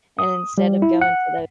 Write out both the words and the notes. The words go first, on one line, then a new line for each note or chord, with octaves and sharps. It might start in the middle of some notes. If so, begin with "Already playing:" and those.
and instead of going to the
D#6
G3
E4
F#5